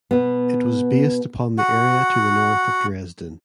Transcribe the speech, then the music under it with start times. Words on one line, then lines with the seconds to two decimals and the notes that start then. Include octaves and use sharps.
It was based upon the area to the north of Dresden.
0.11 B2 B3
1.58 F#4 F#5